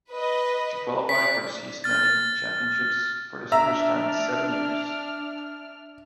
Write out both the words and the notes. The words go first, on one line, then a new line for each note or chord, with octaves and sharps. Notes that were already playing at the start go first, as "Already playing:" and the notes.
She qualified for the season-ending championships for the first time in seven years.
B4 D#5
D5 B6
F6 A6
D4 E5 A#5 E6 F6